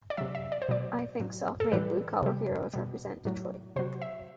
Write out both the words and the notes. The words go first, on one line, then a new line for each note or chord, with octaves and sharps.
I think self-made, blue-collar heroes represent Detroit.
D5
C3 F#3 E5
E5
D5
C5
B2 F#3 D5
A2 F#3
A4
A2 E3 G3 B4
C3 G3
B2 G3
A2 F#3
C3 F#3 C5
E5